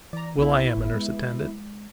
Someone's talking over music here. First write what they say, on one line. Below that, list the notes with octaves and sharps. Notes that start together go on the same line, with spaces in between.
Well, I am a nurse-attendant.
E3 D5 A#5
B1 B3 E4
G1
G#3